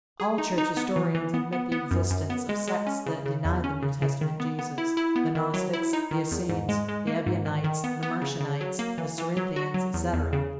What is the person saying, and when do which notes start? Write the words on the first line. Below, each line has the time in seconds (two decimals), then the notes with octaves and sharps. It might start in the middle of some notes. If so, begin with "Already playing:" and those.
All church historians admit the existence of sects that denied the New Testament Jesus--the Gnostics, the Essenes, the Ebionites, the Marcionites, the Cerinthians, etc.
0.20 G#4
0.38 D#4
0.58 D#4
0.77 B3
0.96 E3
1.15 E3
1.34 B3
1.53 B3
1.72 B3
1.91 F#2
2.11 F#2
2.30 B3
2.49 G#3
2.68 G#3
2.87 C#4
3.07 C#3
3.26 C#3
3.45 E2
3.64 C#4
3.82 C#3
4.02 C#3
4.21 D#3
4.40 B3
4.59 B3
4.78 E4
4.97 E4
5.16 B3
5.35 D#3
5.54 F#3
5.73 E4
5.93 D#4
6.11 D#3
6.31 E2
6.49 G#2
6.69 G#3
6.88 G#3
7.07 A#3
7.26 G#2
7.46 D#3
7.64 D#3
7.84 B3
8.03 B3
8.22 C#3
8.41 C#3
8.61 F#3
8.79 A#3
8.98 E3
9.18 E3
9.37 F#3
9.56 F#4
9.74 F#3
9.94 E2
10.13 E2
10.33 C#3